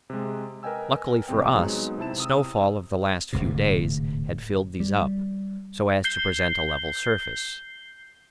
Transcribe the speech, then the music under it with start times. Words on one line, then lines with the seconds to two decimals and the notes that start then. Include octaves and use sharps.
Luckily for us, the snowfall of the last few days had filled these up, so as to present a level surface.
0.10 C3 G#3
0.63 A#4 B4 D#5 G5 G#5 E6
1.28 A#1 C3 C4 G5
1.54 F#3 G#3 B3 C4 D#4
1.98 C3 C4 E4 A5 E7
2.18 C3 D#6 E6
3.33 D1 D2 G#2 C3
4.80 G3
6.04 G6 C7 G7